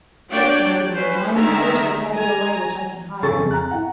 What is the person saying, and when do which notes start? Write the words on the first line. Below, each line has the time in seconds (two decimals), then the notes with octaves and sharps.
"Yes, my good woman; I am in search of a cabriolet which I can hire."
0.30 D4 F#4 C#5 D5 G5
0.91 C#4 B4 C5
1.32 D3 D#3 G#3 E5 A#5
2.13 G#5 A#5
3.23 C#3 G#4 A4 C#6 A6
3.38 F2
3.51 A#5 F#6
3.71 E4 F#5